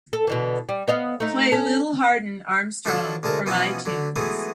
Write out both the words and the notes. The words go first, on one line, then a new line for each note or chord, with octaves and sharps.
Play Lil Hardin Armstrong from Itunes.
A4
B2 D3 E3
G3
B3 D#5 F5
A3 D#4
C#4 A4
F3 D4 F#4 A4 C#5 D5
D2 G#3 A3 A4 A#4
B2 E3 F3 B3 C#4 D#4
D3 F#3
E3 F#3 G#3 A3 B3 D#4